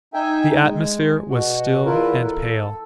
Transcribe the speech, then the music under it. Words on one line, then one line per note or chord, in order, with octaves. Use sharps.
The atmosphere was still and pale.
D#4 E5 G5 G#5
G#3
B2 F#4
E2 E4 F4 A#4 B4
A4